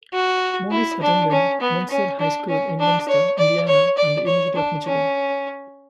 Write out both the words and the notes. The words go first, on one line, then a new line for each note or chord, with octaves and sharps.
Morris attended Munster High School in Munster, Indiana, and the University of Michigan.
F#4
E4
D4
C#4
B3
C#4
D4
C#4
D4
C#5
D5
C#5
D5
C#5
D4
C#4